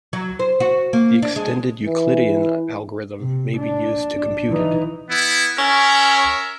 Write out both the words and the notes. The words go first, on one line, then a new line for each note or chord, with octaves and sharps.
The extended Euclidean algorithm may be used to compute it.
F#3
C5
F#4
A#3
D4
G#3
E3
C3
D4
D4
E3 D#4
B3 E4
C#4 A#4 C#5 E5